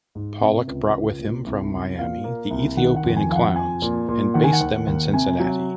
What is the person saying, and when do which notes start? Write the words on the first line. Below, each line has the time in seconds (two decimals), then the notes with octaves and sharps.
Pollock brought with him from Miami the Ethiopian Clowns and based them in Cincinnati.
0.15 G#2
0.40 C3
0.68 C#2
0.93 C#2
1.19 A#2
1.47 C2
1.72 C2
1.98 A#2 F5
2.24 A#3
2.51 C2
2.77 D#3 F#5
2.96 F#5
3.03 F2
3.17 G#5
3.29 F2 F5
3.36 F#5
3.56 F3 G#5
3.82 A#2
4.09 A#2
4.34 D#3 F#5
4.44 G#5
4.53 F#5
4.61 D#2
4.87 D#2
5.13 C3 G#5
5.40 F#3